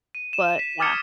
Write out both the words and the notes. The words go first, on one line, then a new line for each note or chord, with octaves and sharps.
but, yeah
D#7
E7
B6
D6 D#6 F6 G#6 A6 C#7